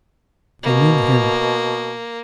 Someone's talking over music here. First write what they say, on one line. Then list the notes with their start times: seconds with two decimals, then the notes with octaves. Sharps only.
I mean him.
0.63 B2 A#3